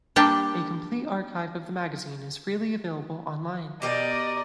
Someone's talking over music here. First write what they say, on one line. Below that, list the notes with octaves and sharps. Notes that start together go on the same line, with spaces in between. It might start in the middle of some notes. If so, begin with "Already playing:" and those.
A complete archive of the magazine is freely available online.
G3 A#3 D4 G4 G5 A5
B2 G4 A#4 D5 D#5